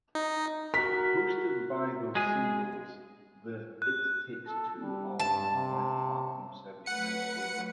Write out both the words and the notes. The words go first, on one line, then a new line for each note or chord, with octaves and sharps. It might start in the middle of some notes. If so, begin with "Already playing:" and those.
Boosted by those singles the "It Takes Two" album went platinum seven times over.
D#4
F#4 A#4 B6
G#3 G#4
F#6
A4
G3
G2 A5
C3
F#3 A3 B4 F#5 C#7